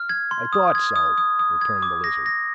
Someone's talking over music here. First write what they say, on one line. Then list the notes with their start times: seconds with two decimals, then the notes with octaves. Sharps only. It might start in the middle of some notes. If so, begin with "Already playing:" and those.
"I thought so," returned the Lizard.
Already playing: F6
0.09 G#6
0.31 C6
0.53 D#6
0.75 G#6
0.96 D#6
1.18 D#6
1.39 D#6
1.61 G#6
1.82 D6
2.04 A#6
2.26 A#6